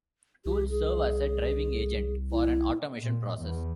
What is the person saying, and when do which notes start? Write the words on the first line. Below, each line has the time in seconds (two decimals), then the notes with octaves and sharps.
Tools serve as a driving agent for an automation process.
0.46 C2 G4
0.70 G#4
2.31 E4
2.99 A#2
3.37 E2